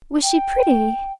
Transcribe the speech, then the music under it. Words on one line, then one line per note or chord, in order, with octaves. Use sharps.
"Was she pretty?"
G5